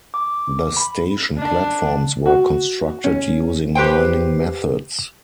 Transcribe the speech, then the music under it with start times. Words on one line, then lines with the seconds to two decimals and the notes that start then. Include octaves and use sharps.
The station platforms were constructed using mining methods.
0.14 D6
0.77 B5
1.38 D4
2.26 F#4
3.04 C#4
3.75 G4 B4 C5 G5